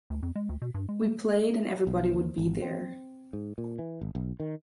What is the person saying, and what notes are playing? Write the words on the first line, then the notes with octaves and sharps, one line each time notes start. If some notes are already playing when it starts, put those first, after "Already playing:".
We played and everybody would be there.
D2
F2
G#3
D2
B2
G2
G#3
B1
D#2
G#1
C4
G#2
A#2
E3
G#1
B1
D#3